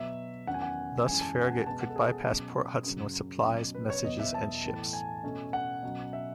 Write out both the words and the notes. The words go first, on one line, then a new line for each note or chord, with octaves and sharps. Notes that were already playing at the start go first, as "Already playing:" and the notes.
Thus, Farragut could bypass Port Hudson with supplies, messages, and ships.
Already playing: B2 F#3 B3 E5
E2 D#3 F#3 C#4 F#5
G#5
F#5
F#2 E3 G#3 C#4 G#5
A5
G#5
F#5
G#5
B2 G#3 B3 A5
F#5
A4
G#4
B2 F#3 C#4
F#2 C#3 F#3
B2 F#3 C#4
B4
C#5
E2 B2 F#3 B3 D#5
E5
A5
A2 E3 B3
G#5
B2 A3 C#4
F#5
B2 F#3 C#4
E5